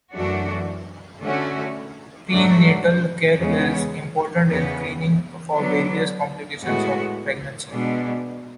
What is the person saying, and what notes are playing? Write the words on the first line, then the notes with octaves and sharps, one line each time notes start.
Prenatal care is important in screening for various complications of pregnancy.
F#2 E3 A3 D4 F#4
D3 A3 C#4 F#4
G#2 F#3 A3 D4 F#4
E2 C#3 G#3 B3
E2 C#3 E3 B3
D3 F#3 B3 D4
A2 G#3 B3 F#4
B2 G#3 D4